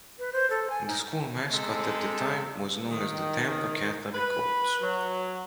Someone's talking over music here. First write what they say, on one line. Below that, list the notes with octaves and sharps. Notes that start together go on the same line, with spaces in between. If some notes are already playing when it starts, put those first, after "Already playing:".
The school mascot at the time was known as the Tampa Catholic Colts.
B4
C5
A4
G#5
D#4
C3 G#3 A4
D#3
B4
F#3